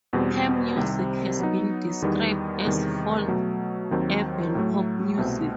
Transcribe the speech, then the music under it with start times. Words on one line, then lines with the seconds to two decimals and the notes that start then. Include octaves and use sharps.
Her music has been described as folk-urban pop music.
0.13 E2 B2 G3 C4
0.75 C2 C3 D#3 G3 C4
1.39 F#3 B3 D#4
2.02 E2 D#3 G3 B3 D#4
2.65 E2 C3 D#3 G3
3.28 B2 F#3 A3
3.91 D#2 D#3 F#3 C4
4.55 A2 F#3 A3
5.17 C2 B2 A3 C4